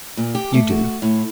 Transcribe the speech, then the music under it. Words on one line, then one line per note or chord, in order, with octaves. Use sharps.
You do.
A#2
G4
A3
F#4
A2